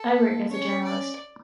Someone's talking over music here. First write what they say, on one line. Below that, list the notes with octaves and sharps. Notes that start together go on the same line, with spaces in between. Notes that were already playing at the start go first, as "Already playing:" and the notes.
I work as a journalist.
Already playing: A4
A#3
C#4 C#5
D5